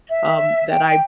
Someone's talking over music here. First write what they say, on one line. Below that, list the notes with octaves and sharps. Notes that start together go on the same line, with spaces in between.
um, that I
E5
G5
G5